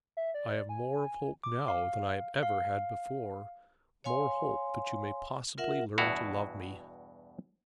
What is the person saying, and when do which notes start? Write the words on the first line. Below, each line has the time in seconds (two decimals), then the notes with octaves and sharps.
I have more of hope now than I have ever had before--more hope that you may possibly learn to love me.
0.17 E5
0.34 D5
0.69 G#5
1.44 D6
1.68 F5
2.43 F5
4.04 C#5 F5 G#5 C6
5.58 F4 A#4 E5 F#5
5.98 E2 G2 B2 E4 F#4 F5